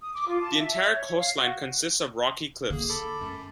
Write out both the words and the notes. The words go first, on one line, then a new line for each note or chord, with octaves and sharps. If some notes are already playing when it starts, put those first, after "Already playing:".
The entire coastline consists of rocky cliffs.
D#6
D6
F4
A5
E5
E5
C#5
C#5
F5
F#4
D3 A#3 G#4
A4 A5 B5 D6
F#2 A3